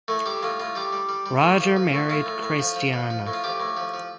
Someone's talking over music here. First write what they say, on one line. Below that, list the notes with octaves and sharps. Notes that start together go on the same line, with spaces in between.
Roger married Christiana.
A2 A3
G3 G4
A2 F4
A2 F4
G3 G4
G3
G3
G3
A2
F3
F3
A2
A2 F4
A2
A2
F3
F3
F3
F3
A2
F4
F3 G4
A2
F3
F3